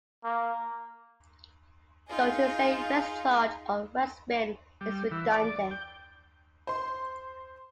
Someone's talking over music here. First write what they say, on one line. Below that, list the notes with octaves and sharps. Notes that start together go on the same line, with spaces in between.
So, to say "rest charge" or "rest spin" is redundant.
A#3
D#4 F4 G#4
G3
E3
D5
G5
C5 C6